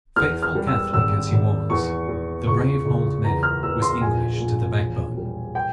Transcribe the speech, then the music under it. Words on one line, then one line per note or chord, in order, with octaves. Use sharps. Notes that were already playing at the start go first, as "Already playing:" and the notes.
Faithful catholic as he was, the brave old man was English to the backbone.
E2 F6
F6
G3
E6
G#1 E6
G#1
E2 C#6
E2
C#2 C#6
C#2
E2 A#5
F6
E2 E6
C6
A#1 G#5
A#1
E1
G3
G5